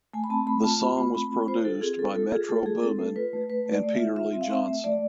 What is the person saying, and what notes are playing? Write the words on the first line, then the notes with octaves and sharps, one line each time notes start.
The song was produced by Metro Boomin and Peter Lee Johnson.
A3 G#5
B5
C4 A5
A3 B5
F4 A5
F4 B5
A3
C4 B5
F4
F4 C5
F4 A4
C4 G#4
F4 A4
F4 A4
F4 G#4
A3 A4
F4 G#4
C4 A4
A3
F4 B4
A3
A3 B4
A3
D5
A3
F4 E5
F4 E5
C4
F5
C4 E5
A3
A3 D5